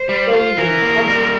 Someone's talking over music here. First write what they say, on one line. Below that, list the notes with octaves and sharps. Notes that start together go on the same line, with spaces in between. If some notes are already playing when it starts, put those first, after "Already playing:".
It's so easy and some
Already playing: C5
G3
F4
E3 A#4
A#3
G3